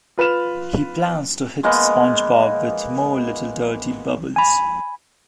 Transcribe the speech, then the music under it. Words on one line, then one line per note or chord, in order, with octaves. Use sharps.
He plans to hit SpongeBob with more Little Dirty Bubbles.
F4 B4 F6 E7
G#3 A#3 B3 D#5
G#5 B5